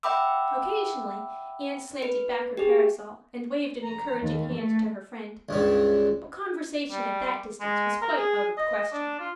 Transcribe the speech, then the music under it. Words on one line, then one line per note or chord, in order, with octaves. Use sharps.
Occasionally Anne slanted back her parasol and waved an encouraging hand to her friend; But conversation at that distance was quite out of the question.
E5 F#5 G5 B5 D6 E6
B4
G4 G#4
A#5
D#2
A3
C#2 G2 C#3
G3
G#3
A#4
G#4
D#5
D4
F4